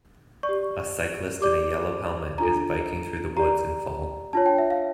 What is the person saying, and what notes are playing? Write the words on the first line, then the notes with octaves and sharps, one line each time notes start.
A cyclist in a yellow helmet is biking through the woods in fall.
D5 C#6
G4
G4 D5 D6
D4 F4 A4 A#5
G4 D5 A#5
D4 F4 C#5 A5
G5
E5
F5